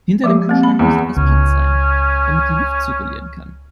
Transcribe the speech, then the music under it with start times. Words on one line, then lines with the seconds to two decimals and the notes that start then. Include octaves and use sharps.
Hinter dem Kühlschrank muss etwas Platz sein, damit die Luft zirkulieren kann.
0.24 F3 G#3 G4
0.49 A#3 C4
0.63 B5
0.79 E2
1.16 C#2 C#4